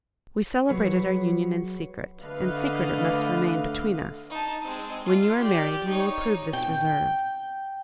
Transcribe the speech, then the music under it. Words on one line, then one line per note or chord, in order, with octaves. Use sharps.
We celebrated our union in secret, and secret it must remain between us. When you are married you will approve this reserve.
F#3 G#4 B4 C#5
D3 A3 B4 D#5 F5
D#4 A5
G#3 C4
F4
G4 D5
D#4 C#5
G5